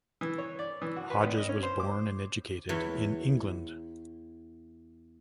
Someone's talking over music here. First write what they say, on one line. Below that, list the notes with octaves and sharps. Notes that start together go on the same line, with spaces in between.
Hodges was born and educated in England.
E3
C#5
D5
E3
F#4
B4
G#1
D#5
C#4
C5
D6
E2 E3 C#5